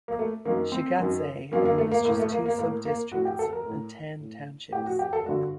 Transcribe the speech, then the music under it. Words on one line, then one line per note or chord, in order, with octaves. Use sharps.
Shigatse administers two subdistricts and ten townships.
A#3
A3
F#2 D#3 A#3
C4
F#2 D#3
F#2 D#3 A#3
A#3
A3
A#3
A2 A#3
A3
A#3
A#3
A2 A#3
A#3
A2 F#4
G4
A4
A#4
A2
A2
A2 G4
F#4
G4
A4
G2 D3 F#4